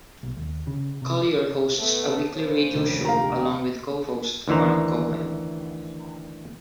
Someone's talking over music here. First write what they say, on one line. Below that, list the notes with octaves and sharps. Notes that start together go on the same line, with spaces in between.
Collier hosts a weekly Radio Show along with co-host Marc Cohen.
B1
D#2
C#3
C3
A3 B3
C#3 C5
F1 D2 D#3
G4 F5 A#5
D2 D#3 E3 C5 A#5